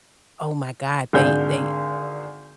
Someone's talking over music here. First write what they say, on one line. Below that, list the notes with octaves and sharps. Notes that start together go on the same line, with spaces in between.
oh my god, they they
G#1 D3 G#4 G#5 G6